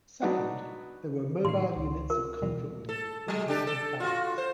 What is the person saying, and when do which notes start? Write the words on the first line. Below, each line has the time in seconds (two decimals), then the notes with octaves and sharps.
Second, there were mobile units of comfort women that visited barracks.
0.22 F#3 B3 D4 D#4 F#4 F#5
1.45 A2 D#3 C6 C7
1.76 C#2
2.10 F4 A#4
2.41 D#2 B2 E3
2.89 A4
3.28 F#3 G#3
3.48 D4 G4 A4
3.67 A4
4.00 F4 F#4
4.38 C5